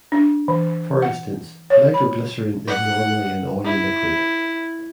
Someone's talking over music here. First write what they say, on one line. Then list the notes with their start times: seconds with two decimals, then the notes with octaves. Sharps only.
For instance, nitroglycerin is normally an oily liquid.
0.12 D4
0.48 E3
1.02 F#5
1.70 C#5
1.94 B5
2.67 F#5
3.64 E4